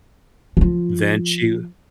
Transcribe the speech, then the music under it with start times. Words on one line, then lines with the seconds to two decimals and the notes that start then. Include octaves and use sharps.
then she
0.57 F3 F4